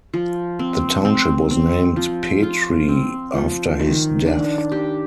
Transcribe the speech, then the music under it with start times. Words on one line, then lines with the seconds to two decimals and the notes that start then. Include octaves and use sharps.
The township was named Petrie after his death.
0.14 F3
0.59 C4
1.05 C4
1.51 C4
1.96 F3
2.43 F4
2.88 C4
3.34 F3
3.80 D#3
4.26 D4
4.72 G4